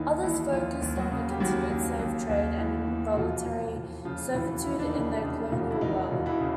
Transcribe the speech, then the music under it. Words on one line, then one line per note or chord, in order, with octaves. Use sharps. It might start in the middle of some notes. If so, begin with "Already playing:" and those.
Others focused on the continued slave trade and involuntary servitude in the colonial world.
Already playing: D#2 D#3 E3 D#4 E4
D#2 E3 E4
D#2 F3 F4
D#2
F#3 F#4
C#3
G4
D#2 F#3 F#4
D#2
D#2
D#2
E3
E3
F#4
E1 F3 F4
E1
E1
C#3 F3 F4
E1 E3 E4
D#2 E4
D#4
D4
D#3 D#4
C#3
C#3
E1
E4
E1 D#3 D#4
E1
E3 E4
C#3